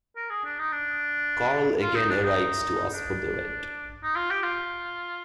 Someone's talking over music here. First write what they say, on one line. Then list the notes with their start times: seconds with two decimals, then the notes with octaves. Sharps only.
Karl again arrives to ask for the rent.
0.16 A#4
0.30 G#4
0.45 D4
0.58 D#4
0.72 D4
1.82 F4
1.95 D#4
2.10 D4
2.23 D#4
2.93 D4
4.03 D#4
4.16 F4
4.31 G4
4.44 F4